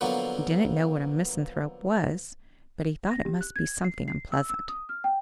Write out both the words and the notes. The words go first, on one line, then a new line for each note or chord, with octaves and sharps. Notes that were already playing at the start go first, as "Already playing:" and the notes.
He didn't know what a misanthrope was, but he thought it must be something unpleasant.
D3 F3 F#3 A#3 B3
A#6
G4
F#6
G#6
C7
C7
E6
E6
D#6
F6
G5